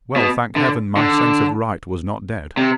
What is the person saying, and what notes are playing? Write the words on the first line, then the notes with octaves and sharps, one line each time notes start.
Well, thank Heaven! my sense of right was not dead.
B2
D3
D3
C3